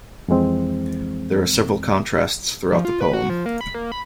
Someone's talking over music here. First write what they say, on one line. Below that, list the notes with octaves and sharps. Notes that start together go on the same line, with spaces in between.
There are several contrasts throughout the poem.
F2 E3 G#3 C4
F3
F4
B4
F#4
F3
A#3
B5
A#3
B5